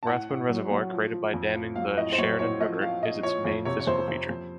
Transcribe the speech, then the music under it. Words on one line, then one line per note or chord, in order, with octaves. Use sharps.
Rathbun Reservoir, created by damming the Chariton River, is its main physical feature.
A5
A2 F#5
A2
F#3
F#3
F3
F3
F2
F3
F#3 F5
A2 D#5
C5
F#3 C#5
A2 C#5
F3 D#5
F3 F5
A#2 D#5
F3 C#5
F2 C#5
C3 C#5
C#5
F2 C5
F2 C5
F2